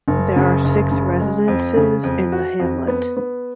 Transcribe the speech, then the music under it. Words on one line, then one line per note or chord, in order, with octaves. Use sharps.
There are six residences in the hamlet.
F#1
C#3
F#1
C#3
G#3
F2
C#3
F2
F#4
F2
B3
B3